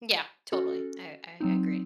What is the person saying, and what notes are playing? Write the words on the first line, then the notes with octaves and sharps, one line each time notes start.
Yeah, totally. I I agree.
C#4 F#4 A4
F#3 C4 D#4